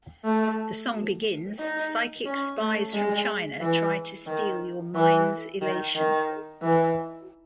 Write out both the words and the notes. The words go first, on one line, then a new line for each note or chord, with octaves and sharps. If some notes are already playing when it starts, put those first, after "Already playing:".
The song begins Psychic spies from China try to steal your mind's elation.
A3
D#4
C#4
A3
G#3
E3
D#3
E3
D#3
D#3
E3